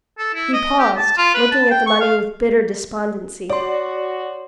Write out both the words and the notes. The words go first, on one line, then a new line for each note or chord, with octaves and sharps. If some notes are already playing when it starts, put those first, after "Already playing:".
He paused, looking at the money with bitter despondency.
A4
E4
D#5
G4
A5
F4
B4
A5
G5
C#6
F5
F#4 C#5 D5 C6